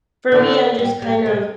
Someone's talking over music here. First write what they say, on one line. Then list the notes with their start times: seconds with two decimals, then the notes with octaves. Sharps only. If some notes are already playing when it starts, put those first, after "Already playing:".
for me, I just kind of
0.32 D3 E3
0.79 G3
1.02 G3
1.26 C3